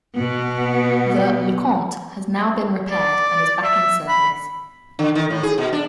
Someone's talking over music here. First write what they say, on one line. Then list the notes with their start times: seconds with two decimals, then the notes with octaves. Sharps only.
The "LeConte" has now been repaired and is back in service.
0.15 B2 B3
2.91 D5
3.64 E5
4.09 B5
4.99 D3
5.15 D#3
5.30 A2
5.43 G#4
5.58 B2
5.73 D4